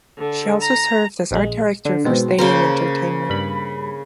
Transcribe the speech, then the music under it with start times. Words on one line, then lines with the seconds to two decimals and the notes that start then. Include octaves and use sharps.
She also served as Art Director for Stadium Entertainment.
0.18 D3
0.61 A#5
1.31 A#1 G#3
1.85 D3
2.05 G#2 B2 C4
2.39 C#3 A#3 C5 A#5
3.30 G2 B5